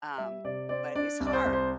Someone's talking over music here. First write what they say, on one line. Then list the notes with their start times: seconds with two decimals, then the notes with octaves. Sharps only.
um, but it's hard,
0.18 G3 E5
0.45 C3 D5
0.69 C4 D5
0.95 D4 D5
1.20 C2
1.27 D5
1.33 C5
1.46 C2
1.53 C5